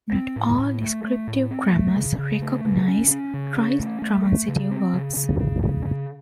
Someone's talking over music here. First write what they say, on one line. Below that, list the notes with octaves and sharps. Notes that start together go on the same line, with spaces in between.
Not all descriptive grammars recognize tritransitive verbs.
C4
A2
A2
A3
A3
A2
C4
A3
C#3
C#3
A3
C#3
C#4
C#4
C#3
C#4
A3
A3
A3
C#3
C4
C#3
C#3
C#3
C#3
C#3